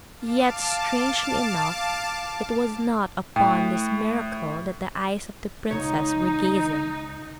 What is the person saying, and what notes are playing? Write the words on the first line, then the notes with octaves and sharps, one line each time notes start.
Yet, strangely enough, it was not upon this miracle that the eyes of the princess were gazing.
F5 A5 D6
A2 G5
C#2 C3 D#4 C#5